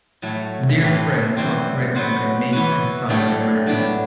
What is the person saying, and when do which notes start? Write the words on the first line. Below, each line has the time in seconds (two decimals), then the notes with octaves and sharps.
"Dear Friends" was written by May and sung by Mercury.
0.22 A2 F#3 A3
0.80 A2 E3 A3 C4 G4
1.37 F#2 E3 G3 C4
1.95 F#3 B3 F#4 C5
2.52 E3 B3 F#4 B4
3.09 A2 F#3 A3 D4 G4
3.66 A2 F#3 B3 D4